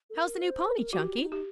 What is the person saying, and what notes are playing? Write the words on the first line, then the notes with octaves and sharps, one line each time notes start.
How's the new pony, Chunky?
A4
A#4
C5
A#4
F#4 G4
D#4
G4